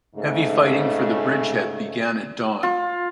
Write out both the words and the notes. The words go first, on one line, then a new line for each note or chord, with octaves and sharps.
Heavy fighting for the bridgehead began at dawn.
G#2 C#3 A3
F4